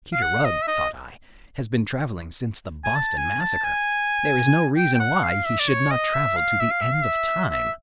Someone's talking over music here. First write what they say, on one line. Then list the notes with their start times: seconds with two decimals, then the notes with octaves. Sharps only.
If Peter Rugg, thought I, has been travelling since the Boston Massacre, there is no reason why he should not travel to the end of time.
0.13 F5
0.22 F#5
0.45 D#5
0.63 E5
0.67 D#5
2.85 G#5
2.95 A5
3.18 G#5
3.40 A5
3.64 G#5
4.77 G5
4.94 G5
5.00 F#5
5.23 F5
5.46 E5
5.60 D5
5.68 C#5
5.91 D#5
6.14 E5
6.37 F5
6.60 E5
6.71 F5
6.81 E5
6.93 F5
7.04 E5
7.51 E5